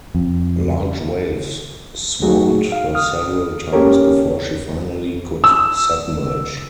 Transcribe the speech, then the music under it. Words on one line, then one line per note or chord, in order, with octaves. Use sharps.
Large waves swamped her several times before she finally could submerge.
F2
F#3 A3 D#4 F#4 G#4
F5
D#6 F6
A#3 C#4 G4 A4 A#4 C#5
E6